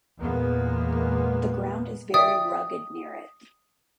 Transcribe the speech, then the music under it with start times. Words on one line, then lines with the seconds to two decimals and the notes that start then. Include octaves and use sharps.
The ground is very rugged near it.
0.19 E2 A#2 G#3 A#3 B3
2.14 D5 E5 G5 D#6